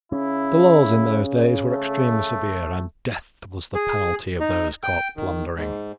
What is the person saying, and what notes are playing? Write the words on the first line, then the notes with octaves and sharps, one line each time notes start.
The laws in those days were extremely severe, and death was the penalty of those caught plundering.
C#3 C#4 E4
A3
G#4
D#4
G5
D#3
G#2